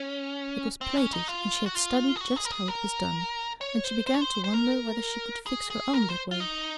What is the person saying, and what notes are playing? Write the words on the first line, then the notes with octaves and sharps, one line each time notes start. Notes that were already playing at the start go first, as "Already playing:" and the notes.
It was plaited and she had studied just how it was done and she began to wonder whether she could fix her own that way.
Already playing: C#4
C4
C#4
D#4
F4
F#4
F4
G#4
F#4
G#4
A#4
G#4
A#4
C#5
C5
C5
C#5
C5
C5
A#4
G#4
G#4
A#4
C5
F4
D#4